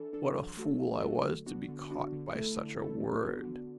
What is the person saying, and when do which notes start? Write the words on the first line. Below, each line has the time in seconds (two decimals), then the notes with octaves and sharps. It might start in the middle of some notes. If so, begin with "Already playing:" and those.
What a fool I was to be caught by such a word!
Already playing: E3 D4 A4
0.13 D4 A4
0.36 F#3
0.57 A3 F#4 A4
0.80 F#3
1.02 A3 F#4 A4
1.24 D3
1.46 B3 D4 F#4
1.68 D3
1.90 B3 D4 F#4
2.13 D3
2.34 A3 E4 A4
2.56 D3
2.79 A3 E4 A4
3.00 D3
3.22 B3 D4 F#4
3.44 D3